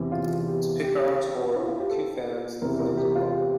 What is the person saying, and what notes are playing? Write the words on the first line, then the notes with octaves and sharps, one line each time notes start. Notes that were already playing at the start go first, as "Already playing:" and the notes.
To Picard's horror, Q fans the flames of love.
Already playing: E2 C3 E3
F4
G4
G4
E4
F4
G4
A4
E2 C3 E3 A#4
A#4
G4
F4
G4